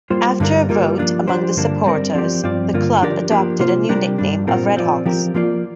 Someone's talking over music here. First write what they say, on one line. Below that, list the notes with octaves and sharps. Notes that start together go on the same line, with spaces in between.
After a vote among the supporters the club adopted a new nickname of RedHawks.
G3 A#3 F4 C5
G2 D3 G3 D4 A#4
G3 A#3 F4 A#4
F3 A#3 D4 F4
F3 D4 G4 C5
G2 D3 A#3 D4
G3 C4 A#4 D5
F3 C4 G4 D5
G2 F3 C4 F4 D5
G2 D3 A#3 F4
F3 D4 G4 A#4 D5
F3 A#3 D4 G4
C3 A#3 F4 C5
C3 G3 D4 G4 A#4
G2 G3 D4
A#2 G3 C4 F4 A#4
F3 C4 F4 D5
F3 C4 G4 A#4
F3 A#3 F4 D5